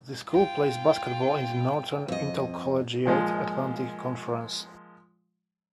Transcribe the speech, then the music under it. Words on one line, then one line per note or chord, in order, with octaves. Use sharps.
The school plays basketball in the Northern Intercollegiate Athletic Conference.
F4 G5
F2 D#5
A#2 F3 G#3